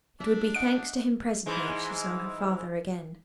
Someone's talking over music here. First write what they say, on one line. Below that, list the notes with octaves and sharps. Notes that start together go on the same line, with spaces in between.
It would be thanks to him presently if she saw her father again.
D4 E5
A3 D#5 F#5 D7
G#2 E3 G#3